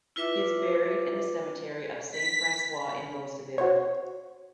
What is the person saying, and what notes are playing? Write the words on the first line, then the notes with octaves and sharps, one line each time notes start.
He is buried in the cemetery of Saint-Francois in Beauceville.
E4 F4 B4 E5 D6
B6
F#4 C5 C#5